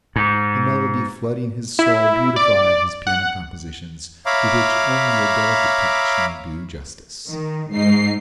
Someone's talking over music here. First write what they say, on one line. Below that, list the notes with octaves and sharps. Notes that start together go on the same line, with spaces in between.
The melody flooding his soul beautified his piano compositions, to which only a delicate touch may do justice.
G#2
E4
D5
F#5
C#5 E5 F5 A#5 B5 D6
D#3
G#2 D#4 C7